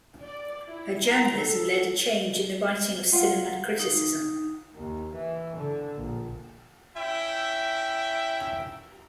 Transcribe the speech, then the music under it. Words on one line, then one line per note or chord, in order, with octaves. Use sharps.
Her journalism led a change in the writing of cinema criticism.
D5
E4
A#5
A4
F4 F5 F#5
D#4
D#2
E3
D3
A#1
C#4 E4 E5 G5